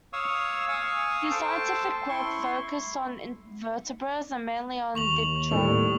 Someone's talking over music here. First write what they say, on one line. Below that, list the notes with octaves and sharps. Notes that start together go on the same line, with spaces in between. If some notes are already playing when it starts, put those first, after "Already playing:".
His scientific work focused on invertebrates, and mainly on "Diptera".
C#5 F5 C#6 D#6 E6
F5 G#5 C#6 D#6 E6
A4 C5 G5 A5
E4 C6 C#6
D#2 C#6 F7 F#7
A2 G3 A3